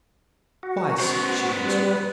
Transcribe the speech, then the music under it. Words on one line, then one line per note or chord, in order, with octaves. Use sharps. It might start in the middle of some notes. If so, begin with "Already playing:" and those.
"Twice," she answered.
F#4
B3 C5
G3 B4